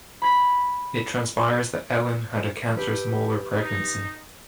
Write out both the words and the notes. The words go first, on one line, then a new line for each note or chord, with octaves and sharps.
It transpires that Ellen had a cancerous molar pregnancy.
B5 G#6 B6
G4 B4
D#4